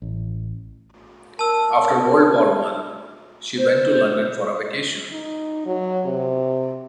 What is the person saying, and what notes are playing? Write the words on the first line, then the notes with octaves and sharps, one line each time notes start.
After World War One, she went to London for a vacation.
A1
A#4 A5 E6
C5
D#4
F#3
C3